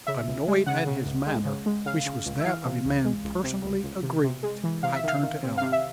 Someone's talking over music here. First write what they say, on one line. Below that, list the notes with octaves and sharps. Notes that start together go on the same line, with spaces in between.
Annoyed at his manner, which was that of a man personally aggrieved, I turned to Ellen.
C#3 E5
C#2
G#3
C#3 F#5
C#3
C#2
G#3
C#3
G#3
C#3 F5
C#3
C#2
E5
E3 F5
C3
C#2
G#3
C#2
C3
C#2
C#2
C3
C3
G#3
E3
C3 F5
E5
D#3 F5
D#3
C3
C3 F5
E5